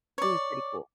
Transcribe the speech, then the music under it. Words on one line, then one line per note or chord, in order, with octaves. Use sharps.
it was pretty cool.
C#5 D5